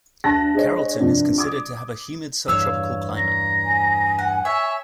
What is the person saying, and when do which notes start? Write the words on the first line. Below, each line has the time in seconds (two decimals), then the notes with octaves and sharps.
Carrollton is considered to have a humid subtropical climate.
0.24 D2 A5 F#6 A#6
0.54 G#3 D4 C5 C#5 D#5
1.00 G2 C3 F3 D4
1.38 D6 D#6 G#6
2.48 E2 G2 C#5 F5 E6
3.18 A#5
3.64 G#5
4.19 F#5
4.45 C#5 E5